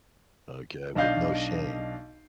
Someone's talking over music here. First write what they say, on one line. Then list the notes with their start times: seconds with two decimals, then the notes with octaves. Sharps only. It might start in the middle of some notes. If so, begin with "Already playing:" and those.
Okay? With no shame.
0.95 B1 D4 D#5 F5 G6